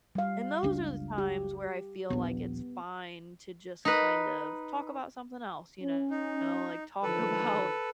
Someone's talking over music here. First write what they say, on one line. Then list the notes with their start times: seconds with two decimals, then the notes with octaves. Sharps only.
and those are the times where I feel like it's fine to just kind of talk about something else, you know. Like, talk about
0.15 G3 F5
0.63 F#1 C#2 D4
1.18 G4
2.10 D#1 A#1 B3
3.85 D#4 B4
5.82 C#4
6.10 D#4
7.03 D3 D#3 F3 A4 B4